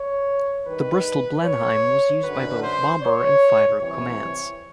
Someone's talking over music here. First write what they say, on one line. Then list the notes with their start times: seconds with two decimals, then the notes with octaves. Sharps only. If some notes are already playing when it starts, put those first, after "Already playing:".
The Bristol Blenheim was used by both Bomber and Fighter Commands.
Already playing: C#5
0.65 G2 D#3 B4
1.43 C#5
2.22 F#2 D3 B4
2.61 C5
3.01 C#5
3.79 C2 C3 E3 C#5